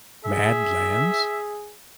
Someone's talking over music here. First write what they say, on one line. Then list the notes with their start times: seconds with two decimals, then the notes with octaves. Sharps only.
Mad Lands?
0.25 G#4 E5